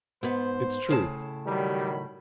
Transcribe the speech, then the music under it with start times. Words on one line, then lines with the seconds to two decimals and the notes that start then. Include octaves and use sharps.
"It's true."
0.23 G#2 B3 C5
0.89 A2 C#3 A5
1.46 D#3 F#3 G3 B5